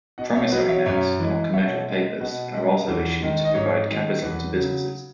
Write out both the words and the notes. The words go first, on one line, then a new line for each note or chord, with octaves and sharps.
Promissory notes, or commercial papers, are also issued to provide capital to businesses.
B2 D#5 F#5
C#5 E5
F#3 B4 D#5
C#5 E5
F#2 C#5 E5
E3 G#3
B2 C#5 E5
G#3
B2 B4 D#5
G#3
E2
D#3 G#3
D#5
G#2 C#5
D#3 G#3
E2 B4
C#3 F#3